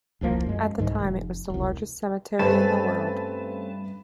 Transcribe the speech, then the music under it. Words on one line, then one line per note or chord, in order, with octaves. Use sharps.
At the time it was the largest cemetery in the world.
D#1 C2 F3 A#3
F#2 G#3
C2 G#2 D#3 G#3
F1
E1 C2
G2 A3 C4 C#4 B4 A5